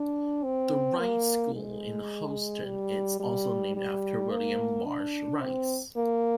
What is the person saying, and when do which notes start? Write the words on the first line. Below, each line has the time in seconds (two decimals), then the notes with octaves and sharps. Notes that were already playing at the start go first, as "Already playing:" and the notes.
The Rice School in Houston is also named after William Marsh Rice.
Already playing: D4
0.44 C4
1.00 A#3
1.55 G#3
2.65 G3
3.20 G3
3.76 G3
4.31 A#3
4.85 D4
5.40 C4
5.96 A#3